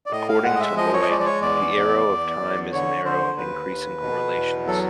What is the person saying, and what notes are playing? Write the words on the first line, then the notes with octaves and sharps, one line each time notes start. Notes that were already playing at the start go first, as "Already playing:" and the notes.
According to Lloyd; The arrow of time is an arrow of increasing correlations.
D5
A2 D#5
F5
G#3 F#5
D#5
E5
F3 D#5
C#5
D#5
G#3 D5
D5
C#5
E2 D5
E2
E2
E2
D3 C#5
D3 C5
D#2 B4
D#2
B2
E2
F#3 A4